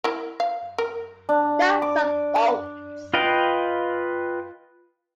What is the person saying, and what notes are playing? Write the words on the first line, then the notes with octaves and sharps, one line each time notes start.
Nuts and bolts!
E4 A#4
F5
A#4
D4
D6
F4 B4 D#5 F5 G5